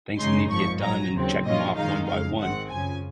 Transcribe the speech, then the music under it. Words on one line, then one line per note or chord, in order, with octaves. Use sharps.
things that need to get done and check 'em off one by one
F#2 C#3 G#3 D#4 C6
G#1 F#2 F3 C#6
A#1 A#2 F#3 A#5
D#2 C#3 F#3 C4
A#1 A#2 F#3 C#4 F4 D#5
F#2 D#3 G#3 D#4 F5
F2 C#3 G#3 F5
G#1 G#2 D#3 G#3 C4 F#5
F#2 C#3 F3 G#5